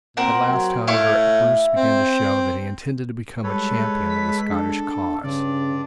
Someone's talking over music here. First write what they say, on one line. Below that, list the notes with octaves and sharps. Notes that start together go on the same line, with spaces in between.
At last, however, Bruce began to show that he intended to become a champion of the Scottish cause.
A#2 C4 A#4 F#5
F#3
A2 E4 F5 C#6
C4
G3 G#3 A4 B4 C#5
B6
D4 A4
G2 C#3 C#4 D5